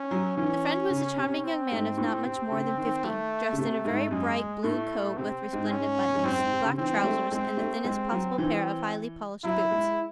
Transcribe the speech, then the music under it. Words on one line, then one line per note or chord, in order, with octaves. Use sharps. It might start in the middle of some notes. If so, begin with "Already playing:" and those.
The friend was a charming young man of not much more than fifty, dressed in a very bright blue coat with resplendent buttons, black trousers, and the thinnest possible pair of highly-polished boots.
Already playing: C#4
F#3
E3 C#4
C#3
C3
C4
G#2
A2
C3
C#3
D#3
A3
C#3
C3 A3
G#2
F#2 G#3
A2 A3
C3 C4
G#2
G#2 C#4
G#2
F#2 C4
G#2
C3
C#3
E3 C4
G#3
A3
G#3 C4
A3
G#3 C4
F#3
E3 C4
F#3 E4
G#3